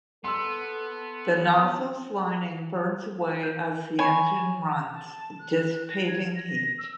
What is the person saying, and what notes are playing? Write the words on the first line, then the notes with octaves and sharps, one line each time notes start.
The nozzle's lining burns away as the engine runs, dissipating heat.
B3 A4 C6 E6
G6
C#5 G#5 B5 C#6
A5
F#6
F#6
A#6
G#6
A#6
E6